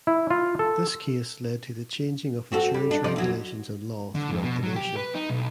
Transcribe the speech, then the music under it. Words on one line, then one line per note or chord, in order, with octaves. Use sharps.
This case led to the changing of insurance regulations and law throughout the nation.
E4
F4
A4
C4 F#4 A4
G3
D4
F3 D#4 D5
E2 F#3
D3
F2
B2
F#3
G4
B4
D#4
B1